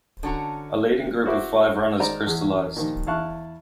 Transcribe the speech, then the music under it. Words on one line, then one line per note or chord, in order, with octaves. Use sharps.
A leading group of five runners crystallized.
D3 C#4 F#4 A4 A#5
E4 F#4 G#4 C5 E5 D6
D#3 G#3 C5 D5 A#5
E2 G#4
A#2 D#3 F3
E2 E4 F5 A5 C#6 F#6